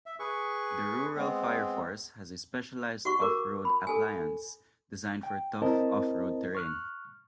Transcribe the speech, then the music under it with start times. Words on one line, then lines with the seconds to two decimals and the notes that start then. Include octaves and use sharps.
The rural fire force has a specialised off-road appliance designed for tough off-road terrain.
0.06 E5
0.19 G#4 B4 C#6
1.16 G#3 B3 C4
3.05 F#4 F#5 C#6
3.22 A#4 D6
3.65 B5
3.87 A4 G#5
5.23 G5
5.62 C4 E4 A#4 C5 D#5 A5
6.55 C#6 F6 F#6